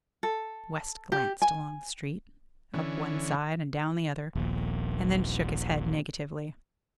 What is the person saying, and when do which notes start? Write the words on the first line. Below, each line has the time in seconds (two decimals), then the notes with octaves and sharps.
West glanced along the street--up one side and down the other--and then shook his head negatively.
0.23 A4
1.12 G4
1.42 G#5
2.74 D3 E3 C#4
4.35 D#1 A#1